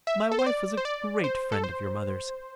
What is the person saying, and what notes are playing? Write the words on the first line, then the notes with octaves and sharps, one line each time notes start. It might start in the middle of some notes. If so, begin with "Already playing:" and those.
My wife was a great friend of your mother's.
E5
A4
C5
D5
C5
D5
C5
A4
C5